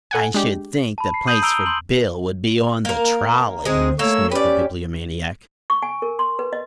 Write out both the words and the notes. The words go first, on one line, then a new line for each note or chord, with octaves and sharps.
"I should think the place for Bill would be on the trolley," sneered the Bibliomaniac.
A4 F#5 G#5
G#3 D4 G4
A5 B5
C7
D#6 G6 D#7 F#7
A#5 E6 D7 F7 G7
C6 G6 F#7
A#3 A#4
D2 G#3 C4 D#4 G#4
A3 A#3 C#5 E6
C#4 G4 B4 D5
C#6
G#5
A#4
C6
B4
D#5